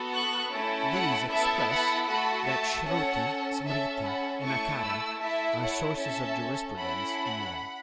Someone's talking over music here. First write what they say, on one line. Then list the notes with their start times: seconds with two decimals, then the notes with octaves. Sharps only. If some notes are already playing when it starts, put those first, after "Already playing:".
These express that Shruti, Smriti and Acara are sources of jurisprudence and law.
Already playing: B3 F#4 A4
0.14 C#6 F#6
0.52 A3 C#4 E4 A4
0.91 F#5 B5
1.30 B3 E4 A4 E5 A5
1.70 F#5 B5
2.08 A3 F#4 A4 F#5 B5
2.47 E5 A5
2.86 C#4 A4 C#5 F#5
3.64 C#4 A4 E5 A5
4.04 F#5 B5
4.43 A3 E4 A4 A5 C#6
4.81 B5 E6
5.20 A3 E4 A4 E5 A5
5.60 C#5 F#5
5.98 C#4 A4 E5 A5
6.77 C#4 E4 A4 F#5 B5